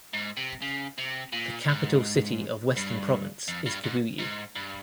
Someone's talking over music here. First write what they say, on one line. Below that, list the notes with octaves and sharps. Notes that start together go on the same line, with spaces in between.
The capital city of Western Province is Kibuye.
G#2
C3
C#3
C3
A#2
G#2
G2
F2
G2
G#2
G#2
G2